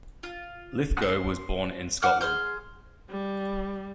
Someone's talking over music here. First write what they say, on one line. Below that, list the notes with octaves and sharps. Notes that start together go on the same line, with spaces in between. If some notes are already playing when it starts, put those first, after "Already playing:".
Lithgow was born in Scotland.
F4
C5
F#5 D6 F6
G#4 C6 F6 G6
G3